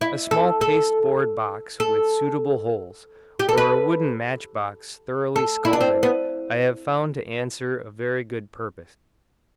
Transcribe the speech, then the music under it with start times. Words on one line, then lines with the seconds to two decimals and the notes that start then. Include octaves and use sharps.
A small paste-board box with suitable holes, or a wooden match-box thoroughly scalded, I have found to answer a very good purpose.
0.01 E4
0.31 A4
0.61 A4
1.80 A4
3.39 G4
3.49 A4
3.58 B4
5.36 A4
5.65 E4
5.73 D4
5.81 C4
6.03 B3